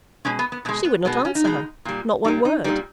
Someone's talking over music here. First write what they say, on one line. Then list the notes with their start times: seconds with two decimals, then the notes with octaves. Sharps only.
She would not answer her--not one word.
0.25 B2 G#3 C#4
0.39 B3
0.52 B3
0.65 B2 B3
0.69 G#3
0.85 B3
1.05 B2 G#3 B3
1.25 C#4
1.35 D#4
1.45 B2 G#3
1.85 A#2 G3
2.24 A#2 G3 D#4
2.45 D#4
2.64 G3 D#4
2.69 A#2